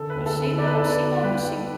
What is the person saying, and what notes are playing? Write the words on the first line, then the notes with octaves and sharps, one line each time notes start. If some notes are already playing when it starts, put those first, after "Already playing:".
Well, she know she know what she
Already playing: D3 A4
B4
D2
A4
D3
A4
B3 D5
B4
A4
D3 B4
D5
B3
G3 B4
G3